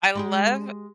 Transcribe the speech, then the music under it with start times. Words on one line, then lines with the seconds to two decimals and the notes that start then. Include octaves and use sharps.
I love
0.15 G#3 G4 G#4